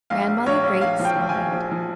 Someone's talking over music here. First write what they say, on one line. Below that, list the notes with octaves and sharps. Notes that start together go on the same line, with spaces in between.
Grandmother Great smiled.
A#1 F5
A#1
A#1 C#5
A#1
A#1 F5
F3
G5
A#1
G#5
A#1
F3
F3